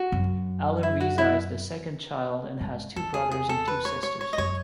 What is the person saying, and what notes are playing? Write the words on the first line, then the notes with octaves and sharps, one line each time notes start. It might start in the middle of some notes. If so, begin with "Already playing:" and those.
Alireza is the second child and has two brothers and two sisters.
Already playing: F#4
F#2
E4
F#4
E4
G#2
E2 A4
G#4
G#4
A4
B4
C#5
C#5
C#5
D#5
F#2 C#5